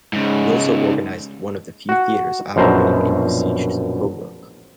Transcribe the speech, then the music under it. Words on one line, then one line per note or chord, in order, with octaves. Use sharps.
He also organized one of the few theaters operating in besieged Tobruk.
G#2 C#3
F#4 F#5
A#1 F#2 B2 C5 E5 A#5